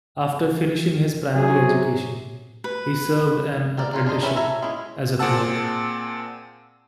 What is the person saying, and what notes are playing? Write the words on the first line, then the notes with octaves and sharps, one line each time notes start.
After finishing his primary education, he served an apprenticeship as a clerk.
C3 F#3 G#4
B4
G4 A#4 D5
A#3 C#4 F4
D4 A#4 C5 D#5
C#4 B4 E5
A4 E5 G#5 A#5
G#3 C#4 E4 G#4
A#2 C4 G#4 F#5 A5 E6